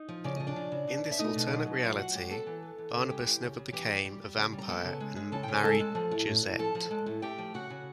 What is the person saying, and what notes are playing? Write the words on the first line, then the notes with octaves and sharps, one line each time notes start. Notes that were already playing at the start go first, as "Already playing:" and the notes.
In this alternate reality, Barnabas never became a vampire and married Josette.
Already playing: D#4
F3
C#3 D5
F3 D#5
D4 D5
C#3
C#3
B2
B2
E5
A3 D#4 D#5
B2
F#3
B2
F#3 F4 F5
F#3 F#4 F#5
G#3 G4 G5
B3 A4 A5
E3
B3
E3
C#3
G#3 G4 G5
E3
C#3
C#3
E3 G4 G5
G3
G3
G3
C#3
G3
A#5
B3 A4 A5
C#3
G#3
G#3
C#3 A4 A5
G5
C#3
G#5
G#3 A4 A5
G#3
F3
A2
A2
A2
F3 A4 A5
F3
G#3
A2
A3 G4 G5
F3
C#3 F#4 F#5
C#3